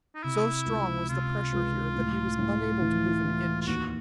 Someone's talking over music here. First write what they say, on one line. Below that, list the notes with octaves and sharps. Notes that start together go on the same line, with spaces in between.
So strong was the pressure here that he was unable to move an inch.
D#4
C3 E4
C#2
C3 F4
C#2
A2
A2
E3
E3
F4
D#2 F#4